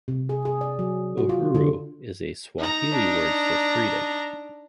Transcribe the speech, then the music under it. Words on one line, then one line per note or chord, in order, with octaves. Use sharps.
'Uhuru' is a Swahili word for "freedom".
C3
G#4
G#4
D5
F#3
F#4
F4
D3
D#4 A#5
D4